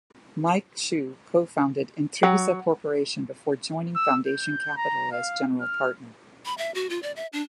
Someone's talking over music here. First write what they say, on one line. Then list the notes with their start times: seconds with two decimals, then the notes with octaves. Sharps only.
Mike Schuh co-founded Intrinsa Corporation before joining Foundation Capital as General Partner.
2.23 F#3
3.95 E6
4.27 G6
4.77 A#5
5.12 F5
5.61 F6
6.46 B5
6.58 E5
6.75 F#4
6.90 F4
7.03 D5
7.16 E5
7.33 D4